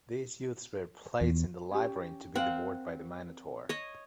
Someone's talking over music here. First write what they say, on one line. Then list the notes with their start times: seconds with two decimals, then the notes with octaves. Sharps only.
These youths were placed in the labyrinth to be devoured by the Minotaur.
1.21 E2
1.71 C#4 G4
2.35 C4 A#4 F5 F#5 G#5
3.69 C#5 D#5